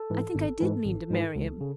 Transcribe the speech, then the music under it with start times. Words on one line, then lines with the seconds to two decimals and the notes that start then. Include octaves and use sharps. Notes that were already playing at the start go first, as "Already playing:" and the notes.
I think I did mean to marry him.
Already playing: A4
0.10 G#2 E3
0.35 G#1
0.60 G#2 E3
0.85 G#1
1.11 G#2 E3
1.35 C#2
1.61 C#3